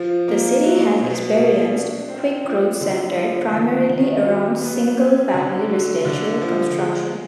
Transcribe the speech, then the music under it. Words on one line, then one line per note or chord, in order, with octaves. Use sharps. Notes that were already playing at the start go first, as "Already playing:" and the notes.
The city has experienced quick growth centered primarily around single-family residential construction.
Already playing: F3
A#3
F#3
B2
B2
D4
C4
F3
D3
F3
D#3
D#3
F#3
B3
C#4
D3
F#3
D3
F3
G#3